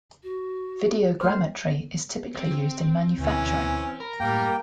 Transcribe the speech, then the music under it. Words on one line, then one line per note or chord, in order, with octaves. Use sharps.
Videogrammetry is typically used in manufacturing.
F#4
A3 C5 F6
C4
D2 B2 E3 C#4
A#4 B5
F#2 A2 G3 A#3 G5